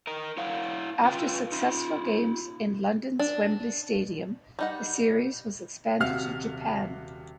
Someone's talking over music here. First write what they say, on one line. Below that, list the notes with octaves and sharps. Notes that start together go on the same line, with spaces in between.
After successful games in London's Wembley Stadium, the series was expanded to Japan.
A#4 D#5 A#5
E4 C#5 F5 F#5
C#4 F4 B4 F5 G5
D#4 F4
D4
G3 D#4 F#5
D#1 C3 F#4 F5 F6